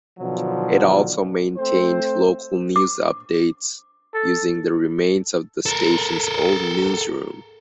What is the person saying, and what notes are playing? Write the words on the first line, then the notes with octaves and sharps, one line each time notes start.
It also maintained local news updates, using the remains of the station's old newsroom.
B2 D3 D#3 F3 F#3
A3 C4 C5
D6
A4
A4 A#4